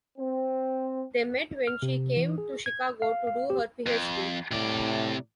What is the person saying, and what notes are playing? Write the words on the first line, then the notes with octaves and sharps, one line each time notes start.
They met when she came to Chicago to do her PhD.
C4
F6
C3
E3
G#4
G#6
F5
F5
G4
F2
A2 C3 D5